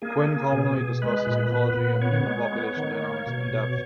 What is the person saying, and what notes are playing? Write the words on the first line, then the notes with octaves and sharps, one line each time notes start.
Quinn commonly discusses ecology and human population dynamics in-depth.
A#3 G#4
A#3
B2
B2
G#3 B4
A#2
B3
A#2
B3 C#5
G#3
B3
D#3
A#3
B2
B2